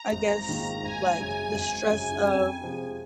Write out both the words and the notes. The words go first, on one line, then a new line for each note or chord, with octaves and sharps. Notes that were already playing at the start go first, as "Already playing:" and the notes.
I guess, like the stress of
Already playing: A#5
G#1
G#2 D#3 A#3 F4
G#1 G#5
F#2 C#3
G#1
F#2 C#3
F2
C3 F3 G#3